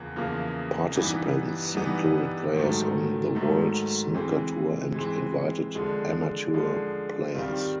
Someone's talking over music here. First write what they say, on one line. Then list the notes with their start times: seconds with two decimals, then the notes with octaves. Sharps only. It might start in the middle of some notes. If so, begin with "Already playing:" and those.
Participants included players on the World Snooker Tour and invited amateur players.
Already playing: E2 C#3 F3 A#3
0.16 E2 C#3 F3 A#3
0.96 G2 E3 G3 B3 D#4
1.75 G2 E3 G3 B3 D#4
2.55 G#2 D#3 F#3 A3
3.35 G#2 D#3 F#3 A3
4.14 E3 G#3 C4
4.94 E3 G#3 C4
5.75 D3 F3 G#3
6.54 D3 F3 G#3
7.34 D#3 G3 C4 F4